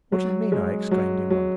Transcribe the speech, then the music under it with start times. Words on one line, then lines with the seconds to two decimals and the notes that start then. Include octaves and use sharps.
"What do you mean?" I exclaimed, in wonder.
0.12 F#3
0.52 G#3
0.91 F#3
1.30 F#3